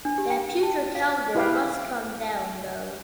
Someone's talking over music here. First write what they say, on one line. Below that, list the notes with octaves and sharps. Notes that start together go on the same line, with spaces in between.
That putrid calendar must come down, though.
D4
G4
G5
A5
F5
E4 G4 B4 F5 G5